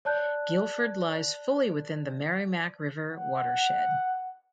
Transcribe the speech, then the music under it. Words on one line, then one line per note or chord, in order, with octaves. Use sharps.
Gilford lies fully within the Merrimack River watershed.
C#5 D5 A5 F#6 G6
F#5